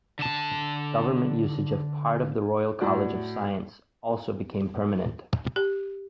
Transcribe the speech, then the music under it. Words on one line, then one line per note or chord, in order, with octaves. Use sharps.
Government usage of part of the Royal College of Science also became permanent.
D3 A5
A2 F#4 D5
G4